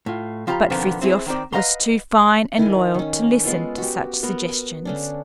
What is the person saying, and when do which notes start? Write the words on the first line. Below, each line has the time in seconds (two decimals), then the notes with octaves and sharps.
But Frithiof was too fine and loyal to listen to such suggestions.
0.06 A2 F4
0.47 F3 F4 G4 A#5 B5
0.70 B2 D3 D#3 F3 B3 C4
1.02 C4 E4 F#4 G#4
1.26 D#3 C4 D5
1.53 B4 D#5 F5 F#5 A#5 C6
2.58 D#3 E4 A#4 G#5
2.94 D#3 C#4
3.44 G#3 B3 F4 A4
3.78 F#4 G4
4.23 B3 A#4
4.85 D3 C#4 D4